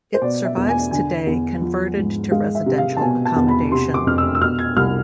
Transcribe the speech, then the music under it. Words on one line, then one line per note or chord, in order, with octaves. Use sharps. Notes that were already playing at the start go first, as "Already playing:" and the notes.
It survives today converted to residential accommodation.
C5
B2 D5
E5
E2
G#5
D3 G#5
E2
F3
G#2
G#3 F5
E5
C3
F5
A5
B2 G#5
A5
E2
B5
C3 C6
D6
F2 F6
E6
E6
B2 F6
G#6
C2 F6